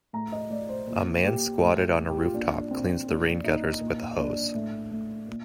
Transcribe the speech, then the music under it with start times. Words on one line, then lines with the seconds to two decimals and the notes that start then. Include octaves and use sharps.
A man squatted on a rooftop cleans the rain gutters with a hose.
0.13 A2 A#5
0.32 D#5
0.50 A2 D5
0.69 C5
0.87 A#2
1.24 A#2 G4
1.61 A2
1.97 A2
2.09 G4
2.22 F4
2.34 A#2 D4
2.52 D4
2.71 A#2 C4
3.08 A#2 D4
3.26 D4
3.44 A#2 D#4
3.81 A#2
4.17 A#2 D4
4.54 A2
4.91 A2
5.28 A#2